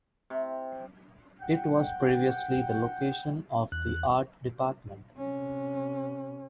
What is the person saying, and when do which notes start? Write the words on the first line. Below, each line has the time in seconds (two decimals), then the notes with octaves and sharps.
It was previously the location of the art department.
0.30 C3
1.41 F#5 G5
3.72 E2 F#6
5.18 C3 C#4